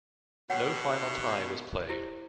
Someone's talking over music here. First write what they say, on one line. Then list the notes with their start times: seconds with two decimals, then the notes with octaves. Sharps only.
No final tie was played.
0.50 D#2 B2 C#5 F#5 G5
1.89 E4 G4 C5